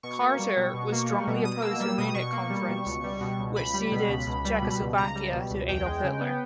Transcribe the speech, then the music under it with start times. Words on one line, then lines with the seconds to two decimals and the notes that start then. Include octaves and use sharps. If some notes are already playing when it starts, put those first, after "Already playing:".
Carter was strongly opposed to the Munich Conference, which ceded Czechoslovakia to Adolf Hitler.
0.03 B2 C#6
0.21 A#3
0.39 G3
0.57 B2
0.74 B2
0.92 A#3
1.10 G3
1.27 B2
1.44 B2 D#6
1.62 A#3 E6
1.80 G3 E6
1.98 B2 D#6
2.14 B2 C#6
2.32 A#3
2.50 G3
2.69 B2
2.86 C#2
3.04 G3
3.21 B2
3.39 C#2
3.56 C#2 B5
3.74 G3
3.92 B2
4.09 C#2
4.27 C#2
4.45 G3
4.62 B2
4.80 C#2
4.98 C#2 A#5
5.15 G3
5.33 B2
5.50 C#2
5.69 E2 G5
5.85 G#3
6.04 C#3
6.21 B3